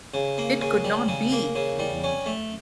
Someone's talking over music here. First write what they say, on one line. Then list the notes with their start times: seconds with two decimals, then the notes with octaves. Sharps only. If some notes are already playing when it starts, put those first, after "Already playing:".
It could not be!
0.14 C#3
0.38 A#3
0.61 C#3
0.84 G3
1.08 C#3
1.32 A#3
1.55 C#3
1.79 G3
2.04 C#4
2.26 A3